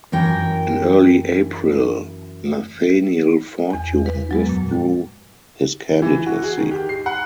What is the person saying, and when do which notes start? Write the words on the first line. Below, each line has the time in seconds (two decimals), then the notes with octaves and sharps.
In early April, Nathaniel Fortune withdrew his candidacy.
0.12 F#2 E3 A#4 G5
3.70 E2 G#5
4.06 B4
4.31 F#3 G#3 B3
4.46 F#2 A#2
6.02 E3
6.26 F#4
6.43 G#4
6.57 D#3
6.71 G4
6.89 C7
7.06 F#5